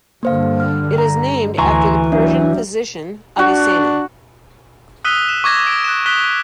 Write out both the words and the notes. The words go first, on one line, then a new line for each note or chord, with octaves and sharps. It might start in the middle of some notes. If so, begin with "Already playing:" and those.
It is named after the Persian physician Avicenna.
G2 D3 G3 A#3 C5 F5
F6
A#5
D2 E3 G#5 A#5 C6 C#6
F#3 G3 D4 E5
D4 F#4
D#6 E6 F#6 B6 D#7 G7
E7
C#6 D6 G#6 A#6
D7
F#6 E7
D#6 F#6 B6 G7